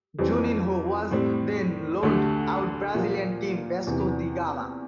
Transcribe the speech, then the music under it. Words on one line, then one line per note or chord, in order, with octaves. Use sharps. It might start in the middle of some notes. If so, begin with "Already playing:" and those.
Juninho was then loaned out to Brazilian team Vasco da Gama.
F2 E3 G3 C4
A2 G3 C4
D2 D3 A3 D4 G4
A#2 F3 A#3 F4
E2 C3 E3